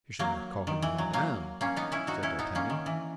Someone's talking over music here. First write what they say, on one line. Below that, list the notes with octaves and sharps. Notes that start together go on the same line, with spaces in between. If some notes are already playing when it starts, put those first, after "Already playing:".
"You should not call her madame," said D'Artagnan.
F#3 A#3
D#3
E3
F#3
F#3 A#3
A#3 C#4
B3 D#4
C#4 E4
D#4 F#4
C#4 E4
B3 D#4
A#3 C#4
D#3
E3